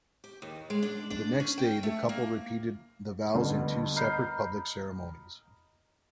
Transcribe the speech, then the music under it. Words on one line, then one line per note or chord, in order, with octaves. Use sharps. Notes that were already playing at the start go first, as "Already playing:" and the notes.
The next day, the couple repeated the vows in two separate public ceremonies.
G4
D#2
G#3
D4
D4
C#4
G5
A3
A#3
D2 G2 B2
D#5 A#5 B5 F6 G6 C7